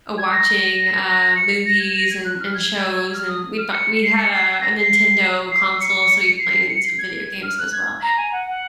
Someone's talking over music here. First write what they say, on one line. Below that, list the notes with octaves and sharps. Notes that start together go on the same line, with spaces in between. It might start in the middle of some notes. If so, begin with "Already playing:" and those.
uh, watching, uh, movies and and shows, and we'd bought we had a a Nintendo console, so we played in some video games as well.
G#6
A#6
A#6
C#7
A#6
G#6
A#6
G#6
F#6
F6
G#6
F6
D#6
F6
C#7
C#7
C7
C#7
C7
A#6
C7
C7
C#7
C7
C#7
C7
G#6
F6
F#6
G#6
A#5
G#5
F#5
F#5